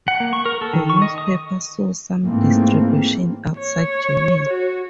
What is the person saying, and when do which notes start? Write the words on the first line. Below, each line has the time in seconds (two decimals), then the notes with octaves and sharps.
The newspaper saw some distribution outside Germany.
0.08 F#5
0.20 A#3
0.33 C#6
0.46 A#4
0.61 A4
0.73 D#3
0.90 C#6
1.02 D#5
1.18 D#6
2.25 G#2 E3 A3 A#3 C4
3.59 C#5
4.49 F#4